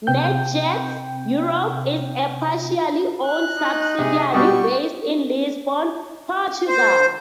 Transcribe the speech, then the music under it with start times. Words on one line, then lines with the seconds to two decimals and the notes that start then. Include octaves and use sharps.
NetJets Europe is a partially owned subsidiary based in Lisbon, Portugal.
0.07 C3 C4 G5 G6
3.26 F#6
3.59 D#4
3.99 C3 G#4
4.33 B2 G3 F#4 G4 C#6 D#6
6.67 C5